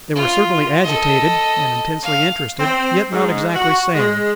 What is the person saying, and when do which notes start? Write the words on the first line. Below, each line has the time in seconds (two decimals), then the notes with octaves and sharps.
They were certainly agitated and intensely interested, yet not exactly sad.
0.16 F4
0.83 A4 D#5
2.02 F5
2.60 C4
3.12 G#2
3.55 F#4
3.94 G#3